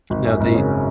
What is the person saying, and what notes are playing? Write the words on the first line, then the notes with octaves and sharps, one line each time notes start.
No, the
G#1
F#2
G#1
C#3